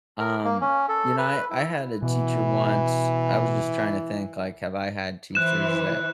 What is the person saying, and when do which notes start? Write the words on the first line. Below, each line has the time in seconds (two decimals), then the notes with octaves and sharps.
um, you know, I I had a teacher once I was just trying to think, like, have I had teachers that
0.19 A#4
0.44 A#3
0.61 C#4
0.89 A4
1.18 B4
1.50 E4
2.03 B2 E3
5.35 E3 E4 C5 F#6 E7